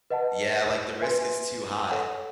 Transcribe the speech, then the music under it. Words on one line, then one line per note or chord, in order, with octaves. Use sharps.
yeah, like, the risk is too high.
B4 D#5 F#5 A5
B4 E5 G#5 C6
A4 C#5 F#5